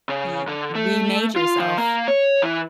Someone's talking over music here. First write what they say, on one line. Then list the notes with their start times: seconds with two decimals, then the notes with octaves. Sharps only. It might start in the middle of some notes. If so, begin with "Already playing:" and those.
You remade yourself.
0.09 C#3
0.48 D3
0.75 A3
1.36 F4
1.60 F3
1.77 A#3
2.08 C#5
2.42 E3